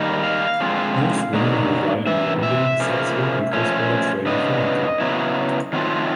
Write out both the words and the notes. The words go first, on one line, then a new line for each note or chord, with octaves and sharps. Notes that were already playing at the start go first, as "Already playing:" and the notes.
Most women rely on vending, sex work and cross-border trading for income.
Already playing: D#3 G3 A#3 D#4
F5
D3 F3 G#3 C4 F4
D3 F#3 A#3 D#4
C3 E3 E5
E5
C#3 F3 A#3
F3 A3 C#4
C#3 E3 G3 B3 D4 D#5
C#3 F#3 B3 E4
D#3 F#3 A3 C4 F4